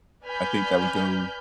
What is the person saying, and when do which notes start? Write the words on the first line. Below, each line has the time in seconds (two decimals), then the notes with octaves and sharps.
I think that would go
0.24 B4 D5 G#5 B5 F6 G6